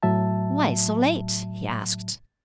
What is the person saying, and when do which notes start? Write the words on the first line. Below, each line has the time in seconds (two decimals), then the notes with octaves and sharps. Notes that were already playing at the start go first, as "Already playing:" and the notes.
"Why so late?" he asked.
0.03 A2 F#3 E5 A5